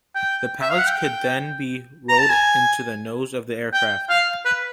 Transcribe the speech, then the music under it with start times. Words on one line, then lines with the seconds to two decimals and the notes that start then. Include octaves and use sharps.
The pallets could then be rolled into the nose of the aircraft.
0.16 G5
0.62 E5
0.70 F5
0.79 F#5
0.87 G5
2.09 A#5
2.20 A5
2.30 G#5
3.74 G5
4.10 F5
4.46 B4